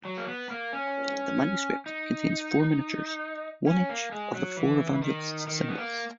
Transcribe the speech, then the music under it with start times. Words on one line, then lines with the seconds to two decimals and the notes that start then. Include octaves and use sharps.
The manuscript contains four miniatures, one each of the four Evangelists' symbols.
0.05 F#3
0.18 A#3
0.28 B3
0.51 A#3
0.73 C#4
1.86 D#4
3.67 C#4
3.89 A#3
4.12 G#3
4.35 F#3
4.57 E3
5.02 D#3
5.48 D#3
5.68 B3
5.78 A#3